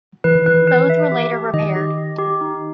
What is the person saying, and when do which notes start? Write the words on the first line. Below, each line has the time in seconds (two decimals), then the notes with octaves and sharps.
Both were later repaired.
0.24 E3 B4
0.35 D#3
0.46 E3 B4
0.67 B4
0.90 E5
1.12 G4
1.33 G4
1.54 D#3 D#5
1.76 G4
1.98 G4
2.19 G4
2.41 D#4